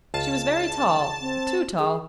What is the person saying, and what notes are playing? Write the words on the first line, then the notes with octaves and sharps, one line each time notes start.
She was very tall--too tall.
C#2 F4 A5
C4
G#4